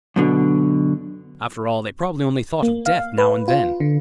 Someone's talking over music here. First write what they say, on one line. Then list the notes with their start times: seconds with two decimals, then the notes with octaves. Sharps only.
After all, they probably only thought of death now and then.
0.16 F#2 B2 D3
2.62 A#3
2.86 F5
3.18 B4
3.48 F4
3.80 D3